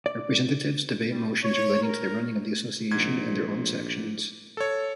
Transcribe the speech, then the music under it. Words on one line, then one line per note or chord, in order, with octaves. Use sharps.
Representatives debate motions relating to the running of the association and their own sections.
D5
G3
C#5
A#4
A#1 G#2 G#6
A4 C#5